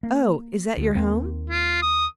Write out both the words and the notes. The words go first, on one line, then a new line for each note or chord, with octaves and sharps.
"Oh; is that your home?"
A#3
D2
D#2 A#3 C4
F4
D#6